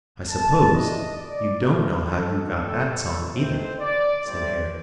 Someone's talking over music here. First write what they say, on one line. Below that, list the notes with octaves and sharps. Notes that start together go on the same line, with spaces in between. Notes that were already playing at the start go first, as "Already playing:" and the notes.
"I suppose you don't know how you got that song, either," said Harry.
A5
D#3 A3 D4 D#5
D5
D3 F3 A3 A#4
A4
D3 A3 C4 A4
D#3 A3 C4 C5
D5
A2 G3 C4 D5